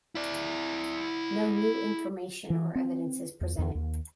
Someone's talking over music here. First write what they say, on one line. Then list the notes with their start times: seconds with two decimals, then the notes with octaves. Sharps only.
No new information or evidence is presented.
0.15 E4 D5
2.50 E3
2.75 C4
3.41 E2
3.59 E2
3.75 D#2